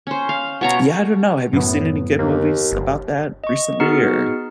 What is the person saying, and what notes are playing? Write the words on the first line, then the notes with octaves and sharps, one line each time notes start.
yeah, I don't know, have you seen any good movies about that recently or
C#4 C5
F5
B2 C#5 A#5
F#2 A2 B3
D#2 A#3
G1
D#5 C#6
B3 D#4 F#4 G#4 F6 C#7